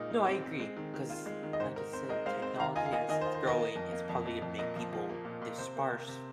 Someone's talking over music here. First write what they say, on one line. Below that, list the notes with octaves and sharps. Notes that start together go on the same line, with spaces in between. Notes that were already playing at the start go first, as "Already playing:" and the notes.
No, I agree. 'Cause, like you said, technology, as it's growing, it's probably gonna make people disperse
Already playing: A#2 G#3 D#4 A#4
D#4
C4
C4
G#3
D#3
D#3
F4
G#3
D#3
D#5
G#2 C5
D#4 A#4
C4 C5
G#3 A#4 D#5
G#3 C5 F5
C4 C5
D#3 F5 A#5
F4 D#5 G#5
F5
A#3 D#5 G#5
D#3 D#5 G#5
C5
F4
C5
D#3 A#4 D#5
A#3
F2
A#3
F2
F2
F2
A#2 A#4 D#5
F3
F3
A#3
A#2
A#2
C3 C5
A#3
C3
C3